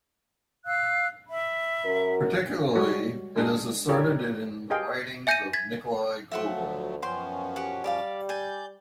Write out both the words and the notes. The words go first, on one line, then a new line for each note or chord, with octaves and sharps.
Particularly, it is asserted in the writings of Nikolai Gogol.
F5 E6 F#6
E5 B5
F#2 F#4 A#4
G3 G#3 F#4 A4 C#5
G#3 D4 G#4
E4 G4 A4 A#4 C#5 D5
G4 G#4 D#5 F5 G5
E5 G#5 G6 A#6 C#7 D#7
G#6 A6 B6
F3 F#3 A3 E5 F#5 C6
D2
F#2 F3 B3 C#4 C5 G5 C6
G4 F#5
G3 G4 D5 F5
D5 G#5 G6